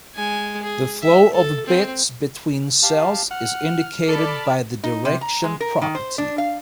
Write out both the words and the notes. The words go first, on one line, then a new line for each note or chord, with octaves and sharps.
The flow of bits between cells is indicated by the direction property.
G#3 G#5
G#4
E5
A4
C4
G4 F5 A5
F#5 F6
A4 D5 A5 B5
D#4
C3
A#5
G#3
A#4
D#3
C5
D4
F5